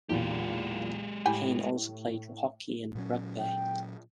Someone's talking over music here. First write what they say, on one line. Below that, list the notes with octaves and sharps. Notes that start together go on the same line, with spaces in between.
Heyn also played hockey and rugby.
B1 E2 A#2 G#3 G4
A2 G3 G5 G#5
A#2 F#3 C#4
G5